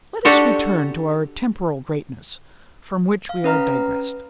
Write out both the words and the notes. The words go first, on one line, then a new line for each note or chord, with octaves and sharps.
Let us return to our temporal greatness, from which we are digressed.
D4 F#4 G4 A4
F5
C#4 B4 A#5 F6